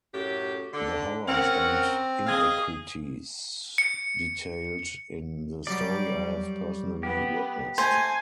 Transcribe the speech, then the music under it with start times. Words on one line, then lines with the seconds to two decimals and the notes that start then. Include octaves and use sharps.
The horrors and inequities detailed in the story I have personally witnessed.
0.13 F#2 A2 G4
0.72 D3
1.27 C4 C#4 A#4 F#5
2.27 G#4 D#5 F5
3.78 C#7
5.67 F#2 F#3 G3 D5 G5
7.03 B3 G4
7.78 A3 C4 A4 C5 G#5